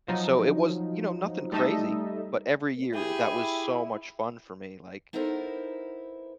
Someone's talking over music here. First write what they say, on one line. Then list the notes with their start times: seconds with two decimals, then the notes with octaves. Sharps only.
and so, it was, you know, nothing crazy, but every year, that was so much fun for me, like,
0.08 F3 F#3 D#4
1.52 G3 A3 D#4 A4 D#5 E5
2.94 E4 G4 G#4
5.13 B3 D#4 E4 A4 A#4 C5